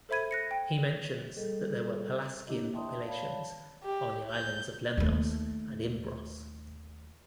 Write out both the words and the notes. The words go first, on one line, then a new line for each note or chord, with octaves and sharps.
He mentions that there were Pelasgian populations on the islands of Lemnos and Imbros.
A4 C5 E5 B5 G#6 D#7
F#6 A#6 C#7
G5
G3 G#4 A4 D#5
A#3 D4 E4 G4 D#5
E5 G5 A5 C6 D#6
C#5 D5 F5 A5 B5
G4
G6
D#2 A3